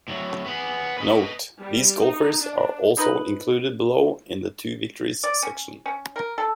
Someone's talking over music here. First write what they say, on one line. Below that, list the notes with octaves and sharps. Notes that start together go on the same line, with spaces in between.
Note: These golfers are also included below in the "Two victories" section.
A2 F#3
B3 G#4
B4 D#5
G3
D#4
D4
F3 D#4 B4 D#5
D5
C#4
C#4
A#4
A4